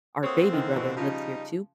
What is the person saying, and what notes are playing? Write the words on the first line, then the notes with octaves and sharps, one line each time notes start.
our baby brother lives here too.
D3 A#3 C4 C#5 D#6
D#3 E3
B2 E3
C#3 F3 G3 D#4